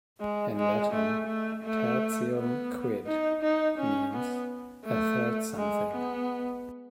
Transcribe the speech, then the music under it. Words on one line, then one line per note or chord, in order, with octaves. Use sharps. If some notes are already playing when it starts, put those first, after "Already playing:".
In Latin, "tertium quid" means "a third something".
G#3
G#3
A3
A3
A3
B3
D#4
D#4
C#4
B3
A3
G#3
B3